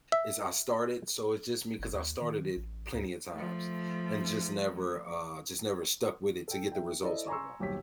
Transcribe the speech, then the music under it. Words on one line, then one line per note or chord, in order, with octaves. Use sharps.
is I started so it's just me 'cause I started it plenty of times and just never, uh, just never stuck with it to get the results I want,
E5
G1
D#2
D#3
A1
D2
F3 A3
A4 G5
E5 G5
E4 A4 C5 D5 D#5
G#5 A#5 C6 C#6 E6
D#1 B1 G4 C#5 B6